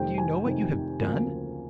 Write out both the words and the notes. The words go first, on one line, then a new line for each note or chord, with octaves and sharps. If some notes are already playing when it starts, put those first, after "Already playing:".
Do you know what you have done?
Already playing: F1 F2 C3 D#3 G3 G5
G#5
F1 F2 C3 D#3 G3
D2 C#3 F3 A#3